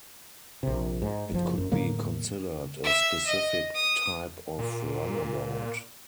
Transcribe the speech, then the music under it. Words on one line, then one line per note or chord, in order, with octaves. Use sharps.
It could be considered a specific type of runabout.
A#1 C3
G#2
F#1 F3
F#2
A2 D3 F#3 A#3
E5
D#5
D#6
A#2